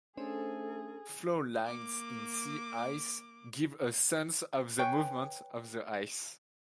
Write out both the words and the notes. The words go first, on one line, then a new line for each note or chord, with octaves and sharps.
Flow lines in sea ice give a sense of the movement of the ice.
A3 C#4 D4 G#4 A4 C5
A#3 D6
B4 C#5 G5 G#5